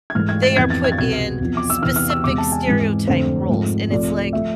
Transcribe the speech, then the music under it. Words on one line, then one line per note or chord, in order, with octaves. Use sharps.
They are put in specific stereotype roles, and it's like,
G#6
G#2 E3 A3 F6
G#6
A6
F2 E3 B3 G#6
A6
G#6
A6
C2 B2 B3 G#6
E2 C3 F3 B3
D6
E6
E2 C3 E3 B3 F6
F6
E6
E2 C3 G#3 D6
A5
G#5
G#2 E3 G#3 C4
F2 D3 A3 C4 C5
G#2 F3 A3 C4
C2 C3 F3 A3 D5
F3 A3 E5